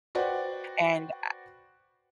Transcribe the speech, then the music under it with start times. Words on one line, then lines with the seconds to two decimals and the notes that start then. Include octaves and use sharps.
and, uh
0.15 F#4 B4 C5 D5 F#5 G5